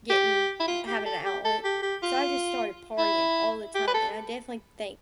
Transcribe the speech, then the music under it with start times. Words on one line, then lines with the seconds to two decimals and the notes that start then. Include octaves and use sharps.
getting having an outlet." So, I just started partying all the time, and I definitely think
0.10 G4
0.60 E4
0.67 F4
0.87 G4
1.06 A4
1.25 G4
1.44 A4
1.64 G4
1.82 G4
2.02 F4
2.98 E4
3.75 G4
3.87 B4
3.94 A4